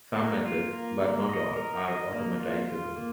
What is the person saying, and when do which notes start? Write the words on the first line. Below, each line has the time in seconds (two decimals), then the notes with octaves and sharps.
Some methods, but not all, are automatizable.
0.17 A#3
0.46 F4
0.73 A#3
1.00 A#3
1.29 D#5
1.56 A#4
1.85 D#5
2.12 A#3
2.40 F4
2.68 F4
2.96 A#3